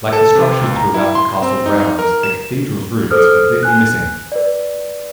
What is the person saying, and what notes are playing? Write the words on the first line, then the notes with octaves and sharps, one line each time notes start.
Like the structures throughout the castle grounds, the cathedral's roof is completely missing.
A4
C3
C#2
A#5
E4
C6
C4
D#4
A#4
E7
A4 C5 D#6 F6
G#5 F#6
B4 D5